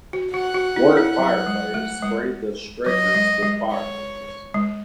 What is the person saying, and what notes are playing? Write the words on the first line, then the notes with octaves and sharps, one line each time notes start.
Warner firefighters sprayed the strikers with fire hoses.
F#4
F#4 F#5
F#4
E4
E4
F#3
G#3
A3
G#3
F#3 D#5
G#3
G#3
C#5
G#3